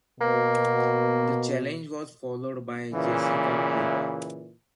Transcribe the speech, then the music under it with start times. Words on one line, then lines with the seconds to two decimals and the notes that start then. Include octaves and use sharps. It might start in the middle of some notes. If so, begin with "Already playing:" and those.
The challenge was followed by Jessica Alba.
0.21 B2 A#3
2.94 A#2 C#3 E3